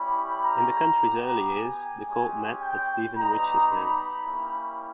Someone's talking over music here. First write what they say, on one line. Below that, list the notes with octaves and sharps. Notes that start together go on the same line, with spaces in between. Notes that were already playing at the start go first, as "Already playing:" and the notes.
In the county's early years, the court met at Steven Rich's home.
Already playing: G3 C#4 E4 G4 B5
A#5
B3 G4
G#5
G#3 C#4 G4
G5
G3 B3 D#4 G4 A#5
B5
A#3 C#4 E4 G4